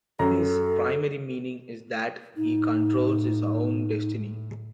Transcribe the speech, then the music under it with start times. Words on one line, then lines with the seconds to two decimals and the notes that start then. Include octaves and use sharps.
His primary meaning is that he controls his own destiny.
0.19 F#2 A4 A#5
2.37 A2 D#4